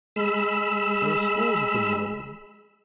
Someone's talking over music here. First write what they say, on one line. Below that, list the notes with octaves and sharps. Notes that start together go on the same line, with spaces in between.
There are scores of them in London.
G#3 B5 E6